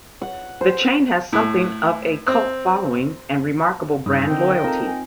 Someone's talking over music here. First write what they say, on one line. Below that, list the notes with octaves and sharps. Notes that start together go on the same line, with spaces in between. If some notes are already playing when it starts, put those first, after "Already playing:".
The chain has something of a cult following and remarkable brand loyalty.
F#5
C5
A2
C4
G2 D#4 D#6 E6 G6
D3 A#3 C4 D#5 G5
C4 F4 A4 A#4 F5 A#5
G#5